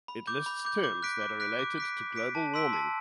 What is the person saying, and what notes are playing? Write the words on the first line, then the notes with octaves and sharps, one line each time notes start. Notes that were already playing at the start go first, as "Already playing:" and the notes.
It lists terms that are related to global warming.
B5
D6 G6
B5
D6 G6
D6
F#6 B6 D7
D6
F#6 B6 D7
D6
F#6 B6 D7
D6
F#6 B6 D7
A5
C6 E6 B6 D7
A5